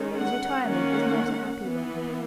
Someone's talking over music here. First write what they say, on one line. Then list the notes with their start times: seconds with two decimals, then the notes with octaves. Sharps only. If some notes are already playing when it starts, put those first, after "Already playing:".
His retirement was not a happy one.
Already playing: D#3 G#3 C#4
0.16 F#5
0.65 D#3 A#3 C#4 F#5
1.63 E3 B3